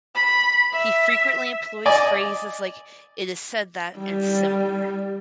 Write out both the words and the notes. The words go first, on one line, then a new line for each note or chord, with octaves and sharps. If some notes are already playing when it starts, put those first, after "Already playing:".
He frequently employs phrases like "it is said that" and similar.
B5
E5
D5 D#5 G#5
G3